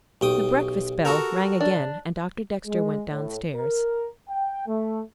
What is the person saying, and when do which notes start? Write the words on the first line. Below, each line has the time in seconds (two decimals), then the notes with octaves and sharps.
The breakfast bell rang again, and Doctor Dexter went downstairs.
0.21 B1 G4 G5 D#6
1.05 F#4 A4 A#4
1.61 D4
2.66 G#3
3.09 A2
3.54 A#4
4.29 G5
4.67 A3